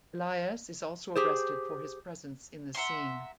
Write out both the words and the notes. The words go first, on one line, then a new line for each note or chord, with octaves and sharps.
Elias is also arrested for his presence in the scene.
G4 G#4 C5
E5 F#5 A#5 C6